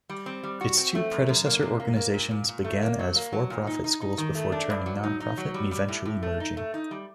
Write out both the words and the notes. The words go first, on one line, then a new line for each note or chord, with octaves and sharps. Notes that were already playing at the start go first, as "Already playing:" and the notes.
Its two predecessor organizations began as for-profit schools before turning non-profit and eventually merging.
G3
C4
G3
F#4
C4
A3
F#2
F#2
A#3
C3
A#3
A#3
A#2
A#2
A#2
A3
A#3
F#3
A#3
F#3
A#2
D#4
D#4
D#4
D#3
A3
D4
G2
F#3
D#4
D#4
F#3
G3
G3
A2
A2
A3
D#4
A3
D#4
G3